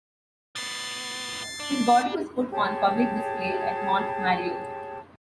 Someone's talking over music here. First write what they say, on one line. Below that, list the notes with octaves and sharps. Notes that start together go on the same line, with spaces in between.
His body was put on public display at Monte Mario.
A2 B3 A6 C7
D4
G4 G#4 C#5 A5